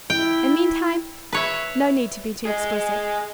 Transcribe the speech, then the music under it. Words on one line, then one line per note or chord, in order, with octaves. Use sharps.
And meantime--no need to be too explicit.
E4 G5
B4 C#5 E5
G#4 D#5